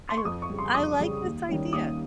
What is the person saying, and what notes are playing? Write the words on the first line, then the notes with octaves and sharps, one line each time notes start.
I I like this idea.
C6
C#6
F2 D#6
C#6
C#3 G3
C6
F2 D#6
C#3 G3
D#2
D#3 G3 A#3 C#4
D#2 D#6